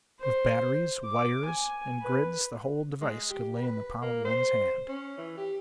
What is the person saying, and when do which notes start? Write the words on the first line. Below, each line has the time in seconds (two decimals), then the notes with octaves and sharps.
With batteries, wires and grids, the whole device could lay in the palm of one's hand.
0.20 C5
1.04 D6
1.45 G#5
2.01 B4
3.01 G#3
3.30 G4
3.57 B4
4.02 A#3
4.25 C5
4.88 C#4
5.17 E3
5.37 G4